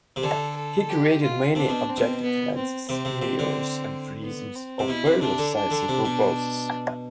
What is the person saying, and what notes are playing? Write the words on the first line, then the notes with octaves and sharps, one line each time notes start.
He created many objective lenses, mirrors, and prisms of various sizes and purposes.
C3
D3 A4
A4
G4
F4
C3 D4
B2
C4
B2
B3
C4
C3 C4
C3
C3
D3
B3
C4
C3
B2 E4
C3
C3 D4
D3
D4
D3
C3
B2